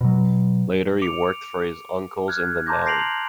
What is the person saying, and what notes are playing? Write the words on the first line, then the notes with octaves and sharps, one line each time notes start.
Later, he worked for his uncles in The Mallee.
B2 F#3
D6 C#7 D7 F7
F6 F#6 G#6
A5 A#5 C6 D6 G6 A#6
G6 A#6 C7 D7 F7 F#7